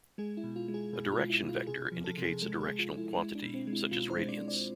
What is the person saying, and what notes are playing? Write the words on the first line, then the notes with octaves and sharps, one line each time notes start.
A direction vector indicates a directional quantity, such as Radiance.
G#3 G#4
E4
B2
F4
G#3
G#4
B2 G#4
F4
G#3
E4
B2
F4
C3 G#4
F3
A4
C3
G#4
G#3 A4
G#4
G#3
F4
G#3
E4
G#3 E4
D4
B2
C4
G#3
E4
B2 F4
C5
G#3
D5
G#3
D5